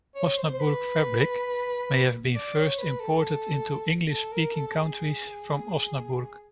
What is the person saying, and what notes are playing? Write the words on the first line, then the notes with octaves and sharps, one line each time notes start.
Osnaburg fabric may have been first imported into English-speaking countries from Osnaburg.
C#5
C5
C5
B4
D5
C#5
B4
A4
A4
A#4
A4
A4
G#4